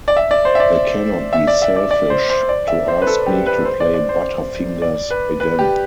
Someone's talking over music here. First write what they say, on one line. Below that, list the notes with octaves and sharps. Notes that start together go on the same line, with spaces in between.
They cannot be selfish to ask me to play Butterfingers again.
D5
E5
D5
C5
E5
D5
E5
D5
E5
D5
D5
C5
C5
D5
E5
C5
B4
A4
G4
B4
C5
D5
D5
C5
D5
B4
B4
G4